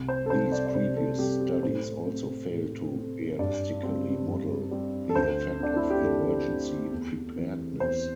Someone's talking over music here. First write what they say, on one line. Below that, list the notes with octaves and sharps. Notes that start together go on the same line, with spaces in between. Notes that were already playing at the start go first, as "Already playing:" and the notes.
These previous studies also failed to realistically model the effect of emergency preparedness.
Already playing: C2
C5
A4
C3 G3 C4 C5
D5
D5
C2 C5
A4
C3 G3 C4 G4
G4
A2 C5
A3 C4
A2
A3 C4
G2 D5
G3 C4
G2
G3 C4
A4
D2 C5
D3 C4 D4
E4
G4
D2 A4
D3 C4
E2
E3 C4
E2 C5